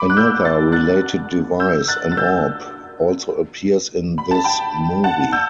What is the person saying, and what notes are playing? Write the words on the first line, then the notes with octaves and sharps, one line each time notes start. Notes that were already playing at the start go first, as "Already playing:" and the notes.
Another related device, an orb, also appears in this movie.
Already playing: B5 D6
F#6
E6 G6
A6
F#6 A6
E6 G6
F#6 A6
A6
E6 G6
B5
A5
G5 B5
F#5 A5
E6 G6